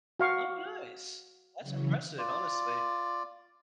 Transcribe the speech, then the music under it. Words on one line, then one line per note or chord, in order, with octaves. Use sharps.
Oh, nice. That's impressive, honestly.
F#4 F5 C#6
C#3 E3 F#3
F4 D5